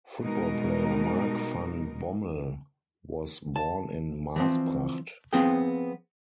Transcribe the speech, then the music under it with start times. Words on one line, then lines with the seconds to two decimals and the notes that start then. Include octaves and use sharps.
Football player Mark van Bommel was born in Maasbracht.
0.20 B2 G3 G#3 D#4 A#4
3.56 A5
4.36 E3 F3 C4
5.33 F3 B3 C4 G#4 G5